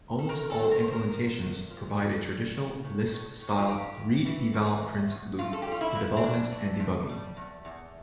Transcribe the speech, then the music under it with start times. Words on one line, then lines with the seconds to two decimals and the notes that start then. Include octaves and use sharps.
Almost all implementations provide a traditional Lisp-style read-eval-print loop for development and debugging.
0.19 A4
0.29 E2 A#4
0.44 A#4
0.50 A4
0.57 E2
0.64 C5
0.71 A#4
0.83 D3 C5
0.93 A#4
1.14 F3
1.42 E2
1.70 F3
1.99 G3
2.27 G3
2.55 A2
2.83 A2
3.12 A2
3.40 A2
3.59 F4
3.69 E2 G4
3.97 E2
4.25 E3
4.53 E3
4.81 E2
5.10 E2
5.38 F2 F4
5.53 A4
5.62 G4
5.67 G3 F4
5.81 E4
5.95 F2
6.17 C4
6.23 G3 D4
6.52 E3
6.80 F2
7.09 G3
7.37 E2
7.65 E2